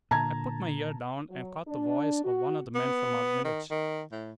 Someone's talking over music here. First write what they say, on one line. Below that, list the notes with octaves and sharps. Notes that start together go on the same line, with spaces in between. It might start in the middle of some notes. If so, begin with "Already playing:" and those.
I put my ear down, and caught the voice of one of the men from our village.
A#2 D3 A5 A#5 G#6
F#3
D4
F#4
B3
D#3
D#3
A2